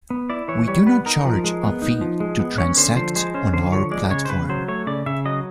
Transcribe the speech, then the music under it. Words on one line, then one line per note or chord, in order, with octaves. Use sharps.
We do not charge a fee to transact on our platform.
B3
E4 D5
E3 C#5
G3 C#5
B3 B4
D#4 A#4
F3
G#3
B3
D#4
F3
G#3
B3
C#4 C#5
D3 C5
F3 C5
G#3 C5
C#4 C5
D3 C5
F3 C#5
G#3 D5
C#3 C#5
C5
C#3 B4
F#3 C5
A3 C#5
C#3 D5
C#3 E5
F#3 D#5